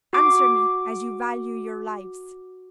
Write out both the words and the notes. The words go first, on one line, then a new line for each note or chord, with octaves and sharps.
Answer me, as you value your lives.'
F#4 D6